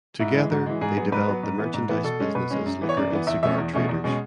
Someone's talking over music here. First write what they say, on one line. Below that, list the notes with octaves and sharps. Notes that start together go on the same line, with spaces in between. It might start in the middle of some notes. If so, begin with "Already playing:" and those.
Together they developed the merchandise business as liquor and cigar traders.
G#2 E4
E3 G#3
G#2 F#4
E3 G#3
G#2 G#4
F#3 B3
G#2 B4
F#3 B3
G#2
E3 B3
G#2
E3 B3
B2 A4
G#3 C#4
B2 B4
G#3 C#4
F#2
E3 B3
C#5
F#2 D5
E3 B3
E2 E5
B2 A3 C#4 E5
E2
B2 A3 C#4
E2
B2 G#3 C#4